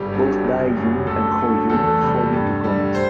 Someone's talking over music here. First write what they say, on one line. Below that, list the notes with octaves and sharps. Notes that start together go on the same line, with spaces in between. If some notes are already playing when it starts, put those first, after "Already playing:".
Both Dae-jun and Ho-jun fall into comas.
Already playing: G1 G3 G4
G2 F#3
F#1
F#2 F#3
D2 A3 A4
D3 F#3 A3
E2 A3 A4
C3 G3
G2
D3 G3
C5